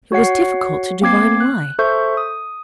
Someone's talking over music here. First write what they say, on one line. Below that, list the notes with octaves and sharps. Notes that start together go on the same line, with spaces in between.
It was difficult to divine why.
F#4 C#5 F#5 C7
A#3 C4 D6 G#6 C7
F#6
A4 C5 E5 C#6 G6
D#6